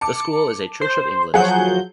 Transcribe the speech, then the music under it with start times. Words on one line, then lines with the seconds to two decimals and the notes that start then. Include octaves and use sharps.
The school is a Church of England school.
0.01 A5 D6 C#7
0.81 C5
1.34 F3 F#3 G#4 F#5 G6